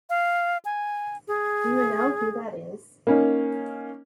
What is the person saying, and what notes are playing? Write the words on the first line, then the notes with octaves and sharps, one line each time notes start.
Do you know who that is?
F5
G#5
G#4
A#3 C#4 D#4